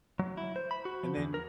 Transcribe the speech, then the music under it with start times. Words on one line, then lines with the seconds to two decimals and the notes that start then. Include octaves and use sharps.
And then
0.19 F#3
0.37 E4
0.56 C5
0.71 B5
0.85 F#4
1.04 F3
1.17 E2
1.34 A#4